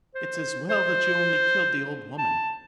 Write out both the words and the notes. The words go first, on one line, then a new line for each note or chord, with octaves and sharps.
It's as well that you only killed the old woman.
C5
C5
A5